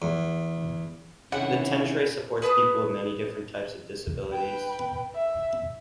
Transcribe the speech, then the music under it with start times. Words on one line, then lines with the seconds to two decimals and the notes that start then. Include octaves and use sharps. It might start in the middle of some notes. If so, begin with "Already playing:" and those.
The tentre supports people with many different types of disabilities.
0.02 E2
1.32 C3 D#3 C#4 E4 G4 G#4 C#5 F#5
2.42 G#4 B4 A5 D#6
4.31 B4 G5
5.15 E5